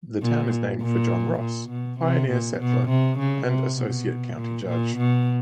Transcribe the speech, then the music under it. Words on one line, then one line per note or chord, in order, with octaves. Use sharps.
The town is named for John Ross, a pioneer settler and associate county judge.
A#2
A#2
A#2
B2
C3
A#2
B2
C3
C#3
C3
B2
A#2
A#2
B2